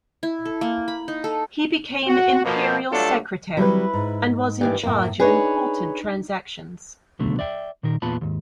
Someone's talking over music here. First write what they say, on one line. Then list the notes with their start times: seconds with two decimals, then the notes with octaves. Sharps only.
He became imperial secretary and was in charge of important transactions.
0.23 E4
0.45 A4
0.61 A#3
0.88 B5
1.08 D#4
1.24 A4
2.07 F#4
2.44 B2 F3 A#3
2.92 G2 F#3 A3 D4 F4 A4
3.57 F#3 G3 C4 E4 B4
3.94 G#2
4.61 G2 D#3 E3
4.83 F#2 A2 A#3
5.20 D4 D#4 G#4 B4 C#5
7.19 C#2 B2 D3 F#3 A3
7.39 D5 E5 G5
7.83 A#2 D#3 A#4
8.02 E2 A#2 B3 F4 A5 B5
8.21 D#2 G#2